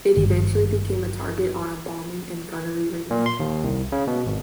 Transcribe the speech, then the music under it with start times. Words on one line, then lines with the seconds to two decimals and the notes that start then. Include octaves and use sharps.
It eventually became a target on a bombing and gunnery range.
0.17 G#1 G2 D#3
3.11 A#2
3.26 C6
3.40 D#2
3.64 C2
3.92 C#3
4.07 B2
4.27 G#1